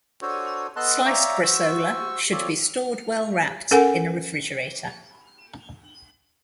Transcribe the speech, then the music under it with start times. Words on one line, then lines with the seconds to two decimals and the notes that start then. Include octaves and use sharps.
Sliced bresaola should be stored well wrapped in a refrigerator.
0.22 D4 F#4 A4 C5 C#5
0.76 B3 A4 D#5 A5 C6 F#6
1.05 C#5 D5 E5 F5 G5 A#5
1.43 F#4 C5 C#6 E6
2.32 C4 F4 A4 C#5 D5
3.71 C#4 A4 A#4 F#5 G#5